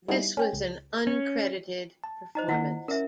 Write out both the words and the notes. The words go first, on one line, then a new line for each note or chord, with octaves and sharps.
This was an uncredited performance.
G3 B3 D#4 E4 G#4
C#4 G5 G#5
C#2
C#4
A5
D#4 C5 D#5 A#5
D#3 A#3 E4 F4 F#5
C#4 A#4 E5